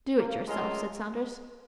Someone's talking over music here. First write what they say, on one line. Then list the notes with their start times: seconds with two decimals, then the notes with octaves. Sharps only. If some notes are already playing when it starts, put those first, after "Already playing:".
"Do it yourself," said Saunders.
0.19 A#3
0.47 G#3 A3 C#4 F4 A#4 D#5